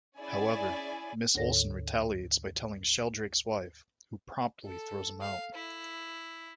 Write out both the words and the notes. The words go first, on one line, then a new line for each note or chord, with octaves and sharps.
However, Miss Olsen retaliates by telling Sheldrake's wife, who promptly throws him out.
C#4 E4 G#4 D5 G#5
D2 G#2 D3 A4 C#5 A#6
A4
F5
E4